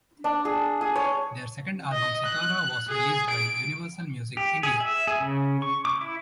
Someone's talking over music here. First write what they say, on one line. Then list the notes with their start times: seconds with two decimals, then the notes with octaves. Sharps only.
Their second album Sitara was released by Universal Music India.
0.24 D4
0.45 G#4
0.81 G#4
0.96 C#5
1.93 D#5
2.26 F#6
2.88 G#4
3.30 D7
4.37 G4
4.63 G#4
4.80 E5
5.07 G#4
5.20 C#3
5.62 C#6
5.85 D6
6.01 E4